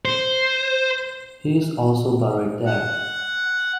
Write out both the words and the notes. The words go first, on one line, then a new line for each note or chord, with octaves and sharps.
He is also buried there.
C5
F#5